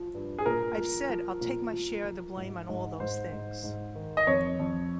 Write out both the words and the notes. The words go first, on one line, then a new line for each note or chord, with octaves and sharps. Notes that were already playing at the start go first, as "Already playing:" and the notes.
I've said I'll take my share of the blame on all those things.
Already playing: F3
G2
G#4
A#2 A#4
F3
F3
A#2
F3
F3
G#2
G#2
G#2 C5
G#2
G#2
D#3
D#5
F2 C#5
F2